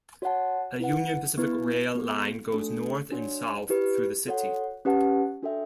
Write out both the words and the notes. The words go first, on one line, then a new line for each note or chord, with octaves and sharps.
A Union Pacific rail line goes north and south through the city.
F#4 C#5 F#5 A5
E4 B4 F#5
B3 E4 B4
B3 F#4 A4
A3 D4 F#4 A4
D4 F#4 C#5
E4 G4 B4
F#4 A4 C#5 F#5
C#4 G4 B4 F#5 A5
D4 F#4 A4 E5 G5